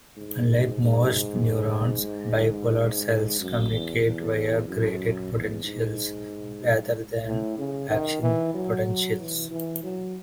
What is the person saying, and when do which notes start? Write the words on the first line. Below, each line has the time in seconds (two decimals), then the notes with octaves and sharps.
Unlike most neurons, bipolar cells communicate via graded potentials, rather than action potentials.
0.17 G#2
0.82 G#2
3.40 F#2
3.72 E2
4.04 E2
4.68 F#2
5.33 E2
5.64 G#2
7.25 A2
7.58 C#3
7.90 D#3
8.22 E3
8.54 F#3
9.19 E3
9.51 E3
9.83 F#3